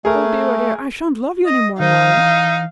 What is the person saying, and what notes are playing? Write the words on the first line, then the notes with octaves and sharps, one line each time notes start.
Oh dear, oh dear, I shan't love you any more, Nana.
A3 G#4 A#4
D#5
D#3 D#4 C5 F5
E3